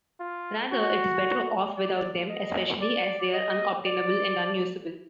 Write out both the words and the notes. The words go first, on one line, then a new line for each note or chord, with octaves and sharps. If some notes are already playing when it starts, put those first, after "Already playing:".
Rather, it is better off without them, especially as they are unobtainable and unusable.
F4
F#4
D5
D#5
D5
D#5
D5